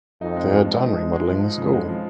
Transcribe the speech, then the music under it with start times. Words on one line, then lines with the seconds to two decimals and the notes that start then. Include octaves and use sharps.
They are done remodeling the school.
0.21 F2 D#4
0.36 G#3
0.51 F3
0.67 F3
0.83 D#4
0.97 G#3
1.13 G#3
1.27 F3
1.43 D#4
1.58 F2 C#3
1.73 G#3
1.89 F3